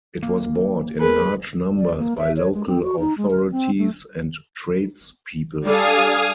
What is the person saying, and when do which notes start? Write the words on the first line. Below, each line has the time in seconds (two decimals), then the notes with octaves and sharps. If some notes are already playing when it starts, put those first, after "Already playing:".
It was bought in large numbers by local authorities and trades people.
0.23 A#3
1.00 G#3 G#4 A#4 B4
1.76 D5
1.97 A#3
2.18 E5
2.37 C#5
2.54 G#3
2.67 C4
2.83 F#4
2.99 D#4
3.18 G#3
3.31 A#4
3.51 C4
3.78 A3
5.64 G3 D4 A4 F5 G#5 D#6